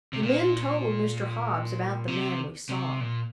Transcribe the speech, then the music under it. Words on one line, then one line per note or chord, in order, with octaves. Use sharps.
The men told Mr. Hobbs about the man we saw.
C3
A#2
C3
C3
A#2